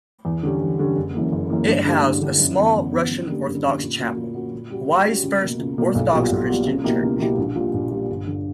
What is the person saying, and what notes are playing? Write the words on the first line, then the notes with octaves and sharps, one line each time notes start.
It housed a small Russian Orthodox chapel, Hawaii's first Orthodox Christian church.
E2
D3 G3 C#4
E2
D3 G3 C#4
F#1
F#2 E3 A#3
F#1
F#2 E3 A#3
G2
D3 A#3 D4 G4
G2
D3 A#3 D4 G4
F#2
E3 B3
F#2
E3 B3
F#2
D3 A#3 D4 G4
F#2
D3 A#3 D4 G4
A#2
A#3 C#4 F#4
A#2
A#3 C#4 F#4
A#2
G3 C#4 F#4
A#2
G3 C#4 F#4
C#2
B2 A#3
C#2
B2 A#3
B1
A#2 G3 B3 F#4
B1
A#2 G3 B3 F#4
C#2
B2 A#3 E4 G4
C#2
B2 A#3 E4 G4
A#1
A#2 G3
A#1
A#2 G3
G1
D3